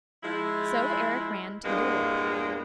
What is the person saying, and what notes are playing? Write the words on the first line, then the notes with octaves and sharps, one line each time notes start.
So Eric ran to the door.
F3 G#3 E4
E2 G2 A#2 G#3 A#3 B3